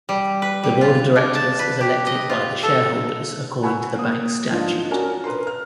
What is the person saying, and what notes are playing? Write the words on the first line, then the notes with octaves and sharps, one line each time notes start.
The Board of Directors is elected by the shareholders according to the bank statute.
G3
B4
G3
F4
D4
A5
B4
G4
D#5
F4
A4
F#5 G#5 B5 C#6 E6 F#6
A#3 D#6
G#2 F3 D4 F4
C#4 D4 F#4 A#4 G#5
A#4 B4 A#5 C6
F6